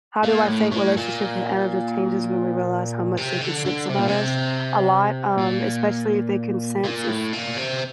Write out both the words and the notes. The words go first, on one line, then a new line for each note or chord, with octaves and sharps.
How do I think relationships with animals changes when we realize how much they can sense about us? A lot, um, especially if they can sense if,
A#2
A2
A2
A#2
C3
D3
D3
C3
A#2
C3
A#2
A#2
A2
A#2
C3